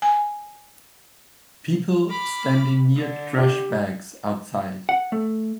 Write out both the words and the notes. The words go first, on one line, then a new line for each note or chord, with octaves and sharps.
People standing near trash bags outside.
G#5
B5 D6 F6
D3
G4
F#5
A3